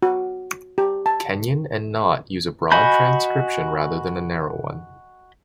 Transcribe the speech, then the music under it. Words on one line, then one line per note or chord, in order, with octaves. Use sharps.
Kenyon and Knott use a broad transcription rather than a narrow one.
F#4
G4
A5
F#4 D#5 G#5 B5 G6